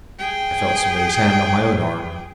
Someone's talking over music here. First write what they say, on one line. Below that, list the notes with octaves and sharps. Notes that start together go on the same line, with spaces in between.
I felt somebody's hand on my own arm.
G#4 G5